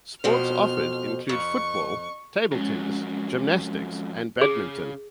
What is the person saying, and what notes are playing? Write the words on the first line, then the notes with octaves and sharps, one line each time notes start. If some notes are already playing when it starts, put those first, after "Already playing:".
Sports offered include football, table tennis, gymnastics and badminton.
F2 B2 C5 F6
F2 C#6
F2 F#3 G#3 C#4
C#3 G#4